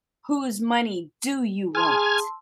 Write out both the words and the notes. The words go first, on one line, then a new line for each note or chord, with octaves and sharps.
Whose money do you want?
G#4 G#5 A5 C6 E6 F6 G#6